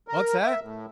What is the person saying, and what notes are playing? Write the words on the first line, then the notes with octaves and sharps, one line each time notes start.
"What's that?"
A#4
E5
A2